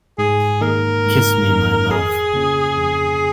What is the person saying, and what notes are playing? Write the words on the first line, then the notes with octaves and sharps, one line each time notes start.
Kiss me, my love.
G#2 G#4
D#3 A#3 D#4 A#4
G#2
D#3 A#3 D#4
F2 G#4
C#3 A#3 C#4 F4
F2